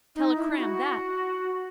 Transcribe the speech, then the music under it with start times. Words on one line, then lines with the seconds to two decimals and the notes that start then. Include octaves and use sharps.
Tell a cram, that.
0.15 D#4
0.36 E4
0.57 F#4